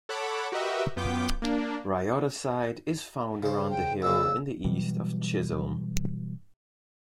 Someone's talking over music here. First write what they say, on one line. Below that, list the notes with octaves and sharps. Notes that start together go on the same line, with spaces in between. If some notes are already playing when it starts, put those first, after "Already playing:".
Rhyodacite is found around the hill in the east of Chisholm.
A4 C#5 F#5 A5 B5 D6
F#4 G4 A#4 B4 D#5 E5
F#2 B3 F4 G5 D6 G6
A#3 D4
C#3 C5
G5
F2 A#2 C#3 E6
B2 E3 F#3 G3